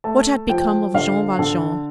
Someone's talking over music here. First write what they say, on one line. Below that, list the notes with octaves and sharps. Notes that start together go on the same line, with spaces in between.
What had become of Jean Valjean?
A3 A5
F3 G5
D3 F5
D3 A4